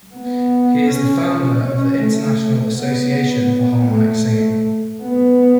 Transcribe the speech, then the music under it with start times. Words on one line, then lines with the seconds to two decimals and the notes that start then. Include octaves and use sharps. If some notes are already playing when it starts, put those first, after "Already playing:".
He is the founder of the International Association for Harmonic singing.
0.15 B3
0.89 C#4
1.64 C#4
2.02 A3
2.78 B3
3.15 B3
3.91 A3
4.28 A3
5.03 B3